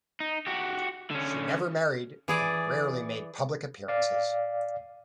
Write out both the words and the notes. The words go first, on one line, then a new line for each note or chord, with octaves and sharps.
She never married and rarely made public appearances.
D#4
F#4 G4
D3 C#4
E3 G#4 D5
D5 F5